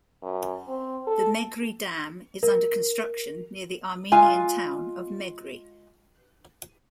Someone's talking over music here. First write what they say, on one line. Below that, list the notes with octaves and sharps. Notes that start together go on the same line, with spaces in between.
The Meghri Dam is under construction near the Armenian town of Meghri.
F#2
C4
A4
A#4
G#3 F4 G#5